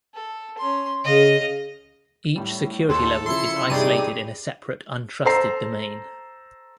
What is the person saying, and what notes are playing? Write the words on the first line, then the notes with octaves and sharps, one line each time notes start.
Each security level is isolated in a separate untrusted domain.
A4
C#4 C6
C#3 D#5 F5
A2 G3
D#2 A4 C5
C#3 F3 E4 C6 C#7
G2 C3 D#4 G4 G#4 D5 C#6 D#7
A4 C5 A#5 C7